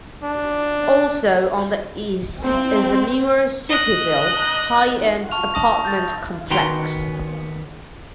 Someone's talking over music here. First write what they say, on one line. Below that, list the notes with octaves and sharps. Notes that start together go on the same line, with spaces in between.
Also on the east is the newer Cityville high-end apartment complex.
D4
C4
D#5 F#6
A5 C#6 F6 F7
A5 D#6 A#6
G6 A6
D#3 B3 F#4 G5 A#5 C6